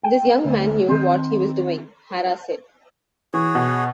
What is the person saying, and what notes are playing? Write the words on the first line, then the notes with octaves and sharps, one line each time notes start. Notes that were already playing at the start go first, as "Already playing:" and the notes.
"This young man knew what he was doing," Hara said.
G5
D2
D#3 C4
E3 F#4 G#4 C#5
B2